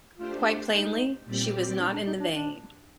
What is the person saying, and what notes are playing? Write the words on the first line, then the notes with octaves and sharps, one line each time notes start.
Quite plainly, she was not in the vein.
A3 D4 F4 G4 C5
D#4
A#2 G3 C4 G4 D5
D4
D4
D#4
D4
D4